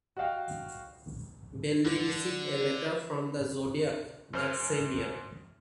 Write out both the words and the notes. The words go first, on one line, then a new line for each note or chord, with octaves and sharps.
Belli received a letter from the The Zodiac that same year.
F#4 D#5 F5 G5
D3
F#2 C5 F6